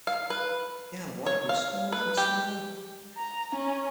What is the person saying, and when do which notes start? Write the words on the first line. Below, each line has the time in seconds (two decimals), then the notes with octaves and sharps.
The Isle of Wight grew smaller and smaller.
0.07 F5
0.30 B4
1.26 C#5
1.49 F5
1.92 B4
2.17 G4
3.18 A#5
3.55 C#4